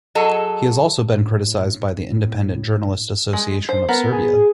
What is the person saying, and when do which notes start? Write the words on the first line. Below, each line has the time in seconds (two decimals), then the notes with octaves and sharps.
He has also been criticized by the Independent Journalist Association of Serbia.
0.15 F#3 G#4 A4 D#5
1.15 A2
2.11 A2
3.33 G#3
3.69 C5
3.89 B3 A#4
4.12 G#4